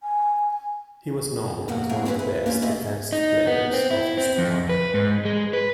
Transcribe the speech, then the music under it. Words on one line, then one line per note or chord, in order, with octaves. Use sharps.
He was known as one of the best defensive players of his time.
G#5
D2 B2 A#3 F#4 F#5
A3 A#3 C4 G#4 A#4 F#5
G#3 C4 C#4 G#4 B4 C#5
E4 B4
A#3 C#4 D4 E4 F4 G4
A3 B3 F4 G#4 D#5 E5
D#4
B3
C4
E4
C4
F2
B4
G#2
G#3
B4